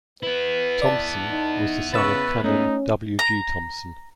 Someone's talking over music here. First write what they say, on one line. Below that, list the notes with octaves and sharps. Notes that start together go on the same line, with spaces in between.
Thompson was the son of Canon W. G. Thompson.
B3 E4 B4
D5 A5
D#4
C#3 B4 C#6 E6 A6
A3 C#4 D#4
A#5